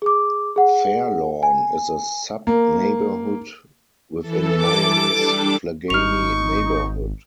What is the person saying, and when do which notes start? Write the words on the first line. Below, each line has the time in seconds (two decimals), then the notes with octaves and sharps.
Fairlawn is a sub-neighborhood, within Miami's Flagami neighborhood.
0.02 G#4 D6
0.56 G#4 F#5
1.43 G#5
2.47 A#3
4.21 E3 A4
4.61 D6
5.10 G3 D4 A4
5.90 G#1 D#4 C#6 F6 F7